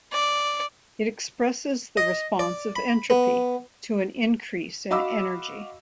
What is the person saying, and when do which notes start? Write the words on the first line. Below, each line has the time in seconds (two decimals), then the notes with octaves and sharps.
It expresses the response of entropy to an increase in energy.
0.12 D5
1.97 D#5
2.39 D5
2.76 B5
3.10 B3
4.90 F#4 D#5 F5 B5 D6 E6